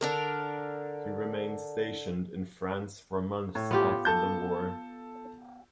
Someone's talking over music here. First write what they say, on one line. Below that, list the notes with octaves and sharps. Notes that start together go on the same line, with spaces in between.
He remained stationed in France for months after the war.
D3 D4 A#4
A2
B3 F4 G4
A4 A5 G6